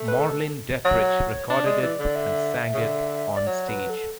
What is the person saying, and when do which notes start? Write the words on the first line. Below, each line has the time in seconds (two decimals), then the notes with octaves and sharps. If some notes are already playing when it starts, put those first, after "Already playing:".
Marlene Dietrich recorded it and sang it on stage.
Already playing: A3
0.08 B4
0.19 A4
0.85 F#3 C#5
1.50 D4 D5
1.66 G#3
1.82 E3 D5
1.99 D3
2.15 E5
2.74 C#3
2.81 D3
3.37 D5
3.46 F#3 C#5
3.68 B4
3.90 A4